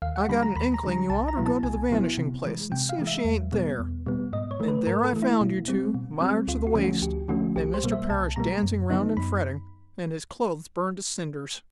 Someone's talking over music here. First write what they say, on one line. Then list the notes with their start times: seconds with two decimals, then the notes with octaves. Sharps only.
'I got an inkling you oughter go to the Vanishing Place and see if she ain't there.' And there I found you two, mired to the waist, and Mr. Parrish dancing around and fretting, and his clothes burned to cinders.
0.02 D#2 F5
0.16 F#5
0.29 D3 G3 B5
0.43 A#5
0.56 D#2 B5
0.74 A#5
0.84 D3 G3
0.92 A#5
1.10 C2 A5
1.28 A#5
1.37 B2 F#3 B3 E4
1.46 A5
1.63 C2 G#5
1.90 B2 F#3 B3 E4
2.18 C3
2.45 E3 G#3
2.72 C3 G5
2.89 F5
2.98 E3 G#3
3.07 E5
3.25 E2
3.52 B2 G3 B3
3.79 E2
4.06 B2 G3 B3
4.33 G#2 D#5
4.51 C#5
4.60 E3 A3
4.68 B4
4.87 G#2 A#4
5.04 A4
5.13 E3 A3
5.22 E4
5.41 B2
5.68 G3 C4
5.94 B2
6.21 G3 C4
6.48 D2 F4
6.67 F#4
6.75 D3 F3 A3 C#4
6.84 F#4
7.01 D2 G4
7.28 D3 F3 A3 C#4 F#4
7.56 C2 G4
7.74 C5
7.83 B2 G3 A#3
7.92 E5
8.10 C2 A5
8.36 B2 G3 A#3 A#5
8.63 F#2
8.90 D3 F#3 B3 D#4
9.17 F#2 B5